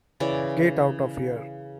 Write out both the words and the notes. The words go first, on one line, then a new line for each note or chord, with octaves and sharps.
Get out of here.
C#3 E3 C#5 D5